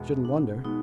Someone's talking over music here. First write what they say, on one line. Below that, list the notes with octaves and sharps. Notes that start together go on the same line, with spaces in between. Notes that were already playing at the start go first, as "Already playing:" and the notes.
"Shouldn't wonder."
Already playing: E1 E2 B2 G#3 B3
E1 D4
B2 G#3 B3 D#4